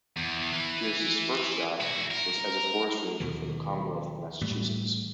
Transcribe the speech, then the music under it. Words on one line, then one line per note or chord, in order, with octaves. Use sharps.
Pierce's first job was as a forest ranger for the Commonwealth of Massachusetts.
E2
E3
E4 F#4
A#4
D#2 B2 E3
A2 E3 G3